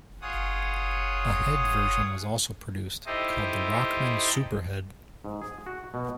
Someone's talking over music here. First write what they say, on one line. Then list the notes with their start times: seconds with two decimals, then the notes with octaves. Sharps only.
A head version was also produced, called the Rockman Superhead.
0.22 F4 G#4 C#5 F#5 D#6
3.06 D#4 E4 G4 A4 C5 D#5
5.25 G#2
5.42 G#4
5.66 F#4
5.94 B2